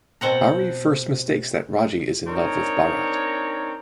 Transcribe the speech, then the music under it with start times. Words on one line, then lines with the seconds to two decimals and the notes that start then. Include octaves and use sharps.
Hari first mistakes that Raji is in love with Bharat.
0.21 B2 C4 F#5 A#5
2.27 C4 D4 D#4 A#4 C#5